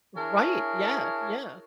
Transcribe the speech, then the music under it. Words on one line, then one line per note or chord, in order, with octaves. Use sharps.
Right, yeah, yeah.
D4 E4 G#4 A#4 C#5